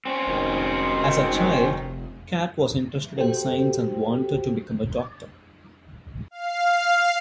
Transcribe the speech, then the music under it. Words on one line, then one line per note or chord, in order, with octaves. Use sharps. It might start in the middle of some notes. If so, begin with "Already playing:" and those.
As a child, Catt was interested in science and wanted to become a doctor.
C4 C#4
F1 G#2 B2 D#3
F#4 G4 A4 C5 G5
F5